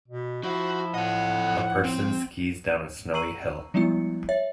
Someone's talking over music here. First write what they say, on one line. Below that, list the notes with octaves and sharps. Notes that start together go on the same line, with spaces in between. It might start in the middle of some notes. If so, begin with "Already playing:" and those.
A person skis down a snowy hill.
B2
F3 E4 F#4
A2 A4 D#5 F#5
C4
A#5 C#6 E6 C7 D#7 F#7
F3 G3 G#3 B3 E4 C#7
C#5 E5 A6